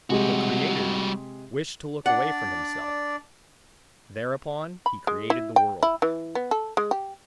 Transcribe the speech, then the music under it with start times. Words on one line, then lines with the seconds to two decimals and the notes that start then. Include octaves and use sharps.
The creator wished to look away from himself,--thereupon he created the world.
0.10 C3 G3 G#3 F#4 G4
2.06 D4 D5 F#5
4.86 B5
5.07 G#3
5.30 E4
5.56 G5
5.83 E4
6.02 E3
6.35 B3
6.51 A4
6.77 G#3
6.91 G4